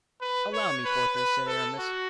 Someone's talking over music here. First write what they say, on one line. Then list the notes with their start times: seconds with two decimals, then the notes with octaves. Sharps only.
"Allow me, Porthos," said Aramis.
0.21 B4
0.54 C#5
0.85 B4
1.16 B4
1.47 A4
1.79 F#4